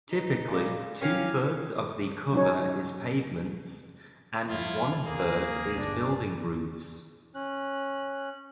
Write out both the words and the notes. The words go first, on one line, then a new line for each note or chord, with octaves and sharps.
Typically two-thirds of the cover is pavements and one-third is building roofs.
D#4 B4
G#3 D5 F5
C4 C#4 E4 G4 A#4 F5 G#5
F#3 C#4 D#4 C#5
F2 E4 F4
D#2 A#3 G#4
G1 D4
C#4 F#6